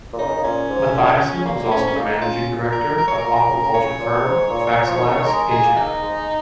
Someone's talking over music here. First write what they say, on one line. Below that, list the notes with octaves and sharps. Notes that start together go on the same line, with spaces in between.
Mathiesen was also the managing director of the aquaculture firm Faxalax hf.
A#2
C#3 D#4
D#3
C#3
A#2 C#4
G#2
A#2
C#3
A#2 A#3
A#3
G#2 C#4
C#4
A#3 D#4
C#4 F4
A#2
A#4
A#4
C#5
A#4
A#2
A#4
C#3
A#4
C#3 C#5
A#2
G#2
A#2
F3
D#3
C#3
D#3
G#3 A#4
G#4
A#3
D#4
G#3